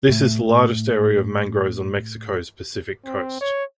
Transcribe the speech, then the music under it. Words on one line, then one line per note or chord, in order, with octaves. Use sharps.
This is the largest area of mangroves on Mexico's Pacific coast.
A2 A3
C4
C#5